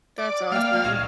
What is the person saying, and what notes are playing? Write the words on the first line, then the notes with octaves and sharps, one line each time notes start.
That's awesome.
D5
A3 A#3 D5 E5 F5 G5
C#2 A#2 F#3 G#3 A#3